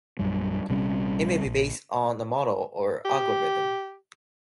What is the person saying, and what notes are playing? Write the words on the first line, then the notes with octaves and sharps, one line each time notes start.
It may be based on a model or algorithm.
A#1 F#2 G3
A#1 C3 G3 C#4
A#1
G4